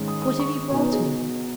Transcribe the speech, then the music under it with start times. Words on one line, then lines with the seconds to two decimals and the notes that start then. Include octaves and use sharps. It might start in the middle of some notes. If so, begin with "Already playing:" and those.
What have you brought me?'
Already playing: G#2 D#3 G#3 C#4
0.08 D#6
0.22 D#6
0.39 C#6
0.71 B2 B3 D#4 G#5
0.82 B4
0.93 G#4